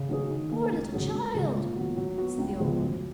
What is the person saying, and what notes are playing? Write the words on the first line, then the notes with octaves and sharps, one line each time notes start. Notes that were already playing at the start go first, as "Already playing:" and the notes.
"Poor little child!" said the old woman.
Already playing: C#3
F#3 C#4 G#4
D#3
A#3 D#4
C#2
C#3 F#3 C#4 G#4
C#2
C#3 G#3
A#2
F#3 B3 F#4
F#3
B3 F#4
C#2
C#3 F3 G#3 B3
F#2